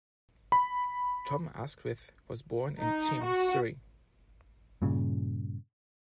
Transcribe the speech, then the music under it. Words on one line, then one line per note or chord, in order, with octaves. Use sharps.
Tom Askwith was born in Cheam, Surrey.
B5
D#4
F#4
G2 A#2 C#3